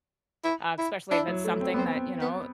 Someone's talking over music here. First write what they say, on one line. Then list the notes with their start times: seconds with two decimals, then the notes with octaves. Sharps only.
uh, especially if it's something that, you know,
0.44 E4
0.79 E4
1.11 D4 E4
1.28 F#3
1.45 A3
1.61 C4
1.74 B3 C4
1.86 C4
2.21 B3